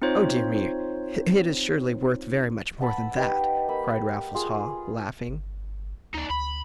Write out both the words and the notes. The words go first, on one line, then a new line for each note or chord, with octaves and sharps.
"Oh dear me, it is surely worth very much more than that," cried Raffles Haw, laughing.
C4 D#4 F4 C5 C#5
F#5 A5 B5 E6
D#4 G4 B4 F#5
A#3 B5 E6
F4 G#4
G1
D2 D#4 D5
D2 B5